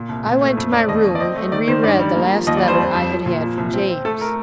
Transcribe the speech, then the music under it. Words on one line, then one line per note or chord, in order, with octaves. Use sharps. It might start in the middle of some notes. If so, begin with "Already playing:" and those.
I went to my room and re-read the last letter I had had from James.
Already playing: A#2
C2
A#2
A3
F2
F2 D5
D#2 D#5
D#2
D5
C4 D#5
A3
D#3 D5
D#3 C5
G2 D5
G3
A#3
F3
D#2 D#5
D5
G3
C5
F2
F2
F3
A#2
F3
C2
C4
C4
A3 A4
A3 A#4